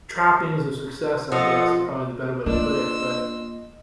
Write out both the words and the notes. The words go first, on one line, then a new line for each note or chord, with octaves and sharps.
trappings of success, I guess, i probably the better way to put it, but
F3 A4 D#5 F#5
A#3 D4 F4 D#5 C6 E6